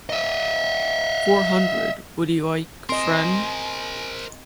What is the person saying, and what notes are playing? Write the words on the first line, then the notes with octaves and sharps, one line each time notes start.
Four hundred, would you like, friend?
D#5 E5
C4 A#4 C5 D#5 G#5 C6